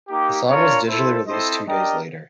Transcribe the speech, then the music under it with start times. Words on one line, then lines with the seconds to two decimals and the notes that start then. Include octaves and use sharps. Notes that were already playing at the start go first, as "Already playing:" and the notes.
The song was digitally released two days later.
0.09 A#3 D#4 G4
0.49 D4 F4 A#4 C#5
0.87 E4 A4 C5
1.27 C4 E4 A4 C5 D#5
1.66 D4 G4 A#4 D#5 G5